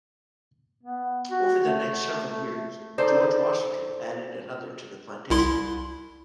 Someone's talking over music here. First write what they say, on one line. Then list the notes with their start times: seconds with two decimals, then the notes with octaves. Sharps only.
Over the next several years, George Washington added another to the plantation.
0.83 B3
1.31 F#4
1.65 A3
2.29 A3
2.98 D#4 A4 C5 D5
5.30 C2 E4 C6